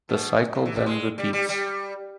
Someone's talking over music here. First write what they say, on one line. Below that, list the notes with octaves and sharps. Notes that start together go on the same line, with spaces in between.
The cycle then repeats.
B2
C#3
E3
G3
G#3
G3
G3
G3